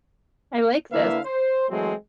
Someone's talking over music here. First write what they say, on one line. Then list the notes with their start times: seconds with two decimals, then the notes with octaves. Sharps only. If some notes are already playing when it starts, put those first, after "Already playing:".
I like this.
0.91 D3 A#3 E4 B4 E5 F5
1.25 C5
1.69 E3 F#3 G#3 A3 C4